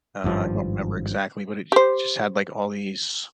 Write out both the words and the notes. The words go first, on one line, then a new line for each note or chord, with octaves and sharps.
uh, I don't remember exactly, but it j just had, like, all these
G#1 G2 F3
G4 C5